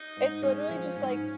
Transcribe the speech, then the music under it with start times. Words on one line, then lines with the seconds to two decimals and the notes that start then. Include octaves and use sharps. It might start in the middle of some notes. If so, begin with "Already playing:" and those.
It's literally just, like,
Already playing: D#4
0.17 G#2
0.43 G#3 C#4
0.69 F3
0.95 G#2